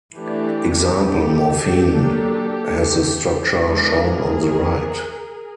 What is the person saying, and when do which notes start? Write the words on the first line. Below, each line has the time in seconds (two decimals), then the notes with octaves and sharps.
Example: Morphine has the structure shown on the right.
0.15 E3 A3 D4 G4 A4
1.89 F#3 A#3 D4
3.63 E3 G#3 B3 D4 G#4 A#4